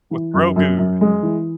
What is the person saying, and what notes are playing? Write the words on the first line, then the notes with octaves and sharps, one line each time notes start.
With Grogu.
E3
F#2
F#2
F#2
G#3
E3